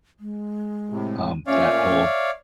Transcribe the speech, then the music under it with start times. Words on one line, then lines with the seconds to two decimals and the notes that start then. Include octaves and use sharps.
um, that whole
0.20 G#3
0.90 A2 C3
1.47 A#2 A3 C#4 C#5 D5 E5 F5